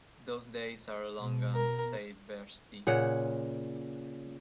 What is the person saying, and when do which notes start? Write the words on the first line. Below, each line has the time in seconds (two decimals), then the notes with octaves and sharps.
Those days are long gone, said Bertschi.
1.20 B2
1.54 A#4
2.87 A#2 C#3 F#5